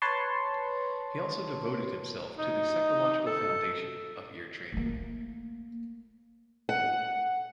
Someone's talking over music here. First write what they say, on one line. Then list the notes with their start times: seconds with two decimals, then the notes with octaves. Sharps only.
He also devoted himself to the psychological foundation of ear training.
0.02 B4 C#5 A5 C6 C#6
2.38 D#4
3.26 A4
4.72 A3 A#3
6.69 F#5